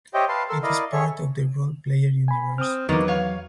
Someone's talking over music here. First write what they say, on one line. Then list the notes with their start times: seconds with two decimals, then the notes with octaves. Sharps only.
It is part of the Roll Player universe.
0.14 G4 C5 C#5 D#5 E5 G5
0.28 B4 F5 A5 C6
0.49 A4 A#4 C6 E6
0.63 E4 A#4 D5 D#5 F5
0.92 G#4 A4 C#5 E5 C#6
2.28 G#5 B5
2.58 C4 D#6 F6
2.89 E2 D#3 F#3 A#3 B4
3.08 C#5 F5